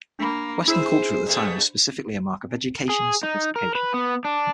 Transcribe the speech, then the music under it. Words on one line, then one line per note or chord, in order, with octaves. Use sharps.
Western culture at the time was specifically a mark of education and sophistication.
A#3 D4 B5
E4 G#4 C5 E6
G2 B2 A3
G#4
D#4
A#4
B4
B3
D4